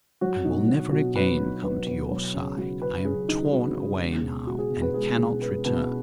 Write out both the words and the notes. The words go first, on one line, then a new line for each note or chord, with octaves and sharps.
"I will never again come to your side: I am torn away now, and cannot return."
F#3 F#4
B2 D#4
F#3
B2 F#4
F#3 B4
B2
F#3 B4
B2 B4
F#3
C#3
F#3 F#4
C#3 B4
F#3 G#4
C#3 D#4
D#4
F#3 F#4
C#3
G#3
B2
G#3 F#4
G#4
B2
B4
G#3 G#4
B2 G#4
G#3 B4
B2 B4